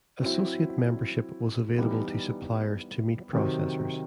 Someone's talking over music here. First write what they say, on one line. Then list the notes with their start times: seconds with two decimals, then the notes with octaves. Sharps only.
Associate membership was available to suppliers to meat processors.
0.21 F#3 C4 E4
1.77 E3 G3 B3 D#4
3.33 C3 D#3 F#3 C4 D#4